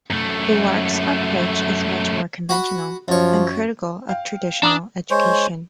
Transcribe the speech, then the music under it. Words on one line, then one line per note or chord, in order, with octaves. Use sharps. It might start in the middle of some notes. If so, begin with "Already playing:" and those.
Buarque's approach is much more conventional, uncritical of traditional education.
F#2 A3
F#4 F#5 B5
F#2 F3 C#5
F5 G5
D4 A#5 D6 D#6
G#3 C5 C#5